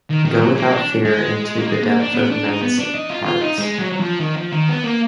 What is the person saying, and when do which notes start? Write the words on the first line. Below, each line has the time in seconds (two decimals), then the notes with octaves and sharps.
Go without fear into the depth of men's hearts.
0.10 D#3
0.25 D#3
0.41 F#3
0.57 A#3
0.72 D4
1.05 G#3
1.59 A#3
1.68 G#3
1.84 A#3
2.00 D4
2.15 B3
2.30 D4
2.47 D#4
2.62 B3
2.79 D4
2.95 D#4
3.10 F4
3.26 F4
3.41 D#4
3.58 G#3
3.79 F#3
3.92 F#3
4.00 F3
4.20 D#3
4.37 F3
4.53 D#3
4.69 B3
4.84 A#3